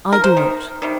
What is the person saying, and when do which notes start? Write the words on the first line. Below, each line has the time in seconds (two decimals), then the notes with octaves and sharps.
I do not.
0.12 A#4
0.24 C5
0.36 C3 D#3
0.82 C3 D#3 G3